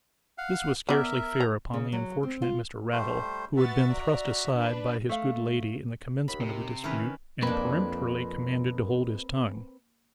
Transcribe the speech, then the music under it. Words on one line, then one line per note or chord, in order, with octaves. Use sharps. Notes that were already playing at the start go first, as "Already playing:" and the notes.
This was scarcely fair upon the unfortunate Mr. Raddle, who had been thrust aside by his good lady in the commencement of the dispute, and peremptorily commanded to hold his tongue.
F5 F#5
B3 A#4 D5 E5
A#5
C#3
F#3
C4
F4
G3 A3 C5
B3 F#4 E5 A6
D5 A#5
D4 B4
A3 F5
D#2 B5
C3
D#3 C#4 E4 B4
F2 A#3 C4 D4 A#4 B4